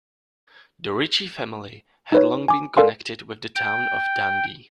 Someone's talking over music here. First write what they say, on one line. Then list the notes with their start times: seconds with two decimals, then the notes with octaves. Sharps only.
The Ritchie family had long been connected with the town of Dundee.
2.12 D#4 B4 C#5
2.48 G#5 D6
2.77 A4 A#4 D5 F5 G#5 C6
3.55 G5